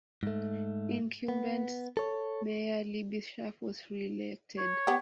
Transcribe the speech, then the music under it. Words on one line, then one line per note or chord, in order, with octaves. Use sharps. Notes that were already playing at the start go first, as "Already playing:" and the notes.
Incumbent mayor Libby Schaaf was reelected.
G#2 A3
B3
A4 C#5
C#5
B3 G4